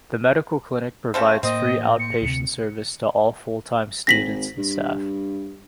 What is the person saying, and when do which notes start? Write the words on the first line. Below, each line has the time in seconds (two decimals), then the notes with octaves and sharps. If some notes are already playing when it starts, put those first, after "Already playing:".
The medical clinic provides free outpatient service to all full-time students and staff.
1.14 C#3 A3 C4
1.43 A2 A#3 C4 D#5
1.99 C#7
2.22 D2 C3
4.07 G#1 A#6 B6 F#7
4.58 G2